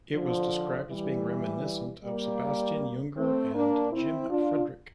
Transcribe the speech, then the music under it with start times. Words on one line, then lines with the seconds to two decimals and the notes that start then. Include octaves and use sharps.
It was described as being reminiscent of Sebastian Junger and Jim Frederick.
0.13 D3 F3
0.88 E3 G3
2.02 G3 A#3
3.16 A3 C4
3.54 A#3 D4
3.91 C4 E4
4.30 D4 F4